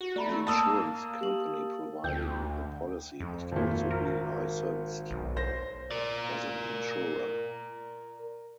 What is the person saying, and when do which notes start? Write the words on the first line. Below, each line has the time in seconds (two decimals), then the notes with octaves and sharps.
The insurance company providing the policy must also be licensed as an insurer.
0.01 F#4
0.16 A3 D5 A#5 B5
0.47 A#3 A5 D#6 E6
1.21 G4 F#7
2.04 D2 G5 G6
3.20 F2
3.52 G#1 A#2
3.91 A#4
5.11 B1
5.37 C5 A#6
5.91 A#4 D5